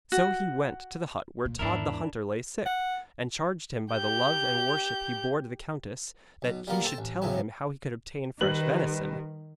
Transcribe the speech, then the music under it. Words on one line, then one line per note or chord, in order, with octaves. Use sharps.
So he went to the hut where Tod the hunter lay sick, and charged him by the love and worship he bore to the countess, that he should tell him how he could obtain fresh venison.
F#4
A#2
E2 G#2 D4 E4 A#4
F#5
G4 G6
B1 B2
G3 A#3 B3 F4 A#4
A4 C5 G5 A5
A1
E2 A2 C#3 F#3 B3 C4
D#3 G3 B4 F#7